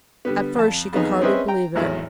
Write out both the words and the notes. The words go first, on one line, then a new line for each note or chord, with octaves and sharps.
At first she could hardly believe it.
D3 G3 B3
F2 A5
F2 B3 D#4 G#4
C4 C#4 G#4 B4 D#5 E5
G5 A#5
G#1 E2 A2 F#3 E4